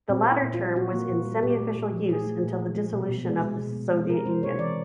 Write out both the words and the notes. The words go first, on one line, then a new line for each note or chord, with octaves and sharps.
The latter term was in semiofficial use until the dissolution of the Soviet Union.
A#2 C4
A#3
E4
A#2
F4
G3
A#2 F#4
A#3
A#2
G3
A#2 G4
A3
A#2
F3
A#2 G#4
A3
A#2
F3
G#3
B2
B2
G#3
G#3
B2
B2
G#3
C3 A#4
G#3 C5
C3 C#5
E3 D5